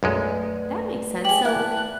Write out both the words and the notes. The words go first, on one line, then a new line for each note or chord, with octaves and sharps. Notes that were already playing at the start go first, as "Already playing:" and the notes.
That makes sense, so
B1 F#2 G#3 A3 B4 D5
G4 G#4 F#7
E4 A5 F#6